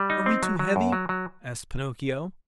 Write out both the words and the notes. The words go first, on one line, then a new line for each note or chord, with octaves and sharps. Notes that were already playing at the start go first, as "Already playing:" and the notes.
"Are we too heavy?" asked Pinocchio.
Already playing: G3
D#4
C4
F#3
F#3
F#2
F#3
F#3